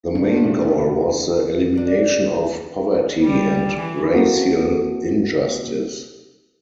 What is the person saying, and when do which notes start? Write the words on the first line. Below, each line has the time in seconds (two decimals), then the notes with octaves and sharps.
The main goal was the elimination of poverty and racial injustice.
0.15 C3 A3 D4
1.77 D4
3.22 G3
3.74 E3
4.13 A#3 C4 E4 F#4 A4